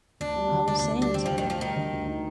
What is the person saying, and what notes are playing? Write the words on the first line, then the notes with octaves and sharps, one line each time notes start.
I was saying to 'em.
D2 D4
G3
D3
D2 D4
D2 D4
G3 D4
D3 C4
D2 F3
D#3
D2 F3
D#3 G3
D3
D2
D#4